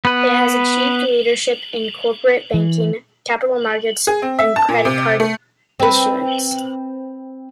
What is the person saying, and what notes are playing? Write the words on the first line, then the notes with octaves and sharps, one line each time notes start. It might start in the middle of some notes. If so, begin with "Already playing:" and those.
It has achieved leadership in Corporate Banking, Capital Markets and Credit Card issuance.
B3 B4
E3
G#4
C4
E5
A5
A#2
C3
A3
C4 B4